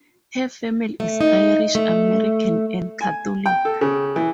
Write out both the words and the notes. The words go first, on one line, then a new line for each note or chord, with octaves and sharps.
Her family is Irish American and Catholic.
A3
D#4
A3
G#5
G5
A4
C#3
E3